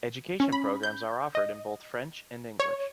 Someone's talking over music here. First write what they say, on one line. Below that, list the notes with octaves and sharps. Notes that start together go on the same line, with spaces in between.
Education programs are offered in both French and English.
C#4
B5
G6
D#5
C#5